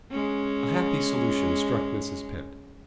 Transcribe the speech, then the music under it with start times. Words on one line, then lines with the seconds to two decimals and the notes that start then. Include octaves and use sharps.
A happy solution struck Mrs. Pett.
0.11 G#3 C#4